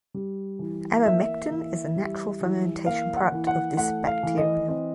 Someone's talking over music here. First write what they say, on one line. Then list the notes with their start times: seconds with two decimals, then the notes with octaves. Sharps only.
Abamectin is a natural fermentation product of this bacterium.
0.14 G3
0.59 E3
1.05 A#3 E5
1.51 E3
1.96 G3
2.41 E3
2.86 A#3 F5
3.16 F#5
3.32 E3
3.47 F#5
3.77 A3 F#5
4.07 F5
4.23 E3
4.38 D#5
4.68 C4 D#5